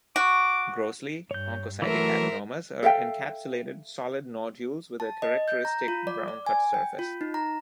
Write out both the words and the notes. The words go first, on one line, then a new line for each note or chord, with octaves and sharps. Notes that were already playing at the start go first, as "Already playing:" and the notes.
Grossly, oncocytic adenomas are encapsulated, solid nodules with a characteristic brown cut surface.
F#4 D6
G2 C#5 G6
E3 F#3 A3 A#4 C5 E5
A4 E5 F5 G5
A5
D#5
G6
A#5
F4
D5
D5
G#5
G5
F4
D#4
A#5